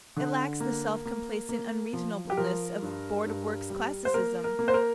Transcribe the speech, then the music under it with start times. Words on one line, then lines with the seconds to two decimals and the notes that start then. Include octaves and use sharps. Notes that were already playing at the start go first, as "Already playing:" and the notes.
It lacks the self-complacent unreasonableness of Board of Works classicism.
0.17 D3
0.60 A#3
1.06 A#3
1.49 A#3
1.93 F3
2.30 G4
2.37 F3 A#4
2.82 G2
3.26 G2
3.70 G3
4.05 C5
4.14 A#3 A#4
4.44 A#4
4.59 A#3
4.68 C5
4.74 A#4